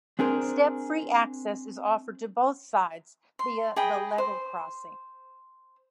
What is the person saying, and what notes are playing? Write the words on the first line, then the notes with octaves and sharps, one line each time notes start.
Step-free access is offered to both sides via the level crossing.
C4 D4 G#4 A#4 C5
C6
G#4 D#5 G5 B5
C5